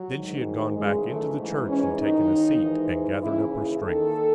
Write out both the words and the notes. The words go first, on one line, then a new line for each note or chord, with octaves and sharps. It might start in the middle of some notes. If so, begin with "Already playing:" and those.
Then she had gone back into the church and taken a seat, and gathered up her strength.
Already playing: F#3
G#2 D#3
F#2 C#3 E3 G#3
A3
G#2 E3
C#4
D#2 D#3 D#4
G#2 E3
D#2 C#3 E3 E4
G#4
D#2 D#3 A4